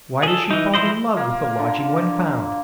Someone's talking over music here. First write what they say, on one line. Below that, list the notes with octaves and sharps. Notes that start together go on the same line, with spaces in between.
Why did she fall in love with the lodging when found?
G#4 A4
E3 D#4
E3 F3 E4 C5 D#5
A#3 F4
D3